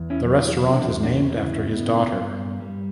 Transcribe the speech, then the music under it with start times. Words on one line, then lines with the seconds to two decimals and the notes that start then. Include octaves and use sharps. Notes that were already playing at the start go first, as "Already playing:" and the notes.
The restaurant is named after his daughter.
Already playing: E2
0.10 C#4 E4
0.25 F#3
0.40 E4 G4
0.72 E2 D4 F#4
1.03 D4 F#4
1.20 C#3
1.35 C#4 E4
1.66 B3
2.13 G2
2.60 G3